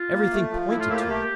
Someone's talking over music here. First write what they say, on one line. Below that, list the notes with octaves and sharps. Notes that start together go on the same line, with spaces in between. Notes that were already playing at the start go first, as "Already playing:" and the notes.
Everything pointed to it.
Already playing: F4
A#3
A3
F3
A2 E4
F4
A#3 E4
G4
F4
A3 G4